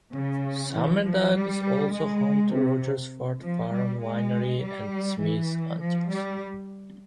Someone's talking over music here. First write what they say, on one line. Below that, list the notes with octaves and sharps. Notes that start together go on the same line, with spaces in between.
Sumerduck is also home to Rogers Ford Farm Winery and Smith's Antiques.
C#3
E3
F3
G3
G#3
C3
F3
G3
G#3
G3
E3
F3
G3